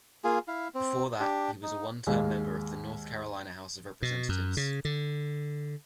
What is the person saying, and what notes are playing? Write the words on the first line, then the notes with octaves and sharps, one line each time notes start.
Before that, he was a one-term member of the North Carolina House of Representatives.
A#3 F4 G#4
E4 F5
C4
D4 G4
D#4
D#2 G#2 G#3 F5
B2
F#2
C#3
D3